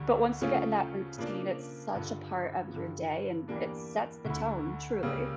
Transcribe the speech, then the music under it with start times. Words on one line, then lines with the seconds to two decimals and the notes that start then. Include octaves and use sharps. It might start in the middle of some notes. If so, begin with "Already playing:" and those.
but once you get in that routine, it's such a part of your day and it sets the tone, truly.
Already playing: D2 D3 G3
0.41 C#3 F3 A3 C#4 F4
1.18 C#3 F3 A#3 D4
1.95 G2 D3 F3
2.72 G2 D3 F3
3.48 E2 E3 G3 A#3 D4
4.25 D2 D3 A3 E4
5.03 C#2 C#3 G3 A#3